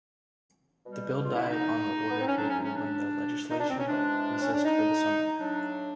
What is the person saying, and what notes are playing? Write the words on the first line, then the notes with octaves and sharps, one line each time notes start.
The bill died on the order paper when the legislature recessed for the summer.
B2 G3
F4
D#4
E4
D#4
B3
C4
C#4
A2 F#3 D4
C#4
C#4
D4
D#4
D4
C4
C#4
C3 E3 G#3 D4
C#4
D4
D#4
A2 F#3 D4